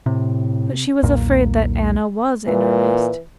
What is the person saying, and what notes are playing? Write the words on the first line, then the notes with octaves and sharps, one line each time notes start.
But she was afraid that Anna was in earnest.
A2 C3
B1 E2 A#2 A#3
A#2 E3